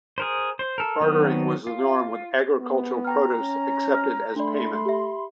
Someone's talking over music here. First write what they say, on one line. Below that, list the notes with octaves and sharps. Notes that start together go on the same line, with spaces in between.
Bartering was the norm, with agricultural produce accepted as payment.
G#4 A#4 C5
C5
A4 A#4
D#3 F#3 B3 C4
F4
B3
G5 A#5 F6
C#4
F6
A3 D4 D5 B5 C6
G4 E5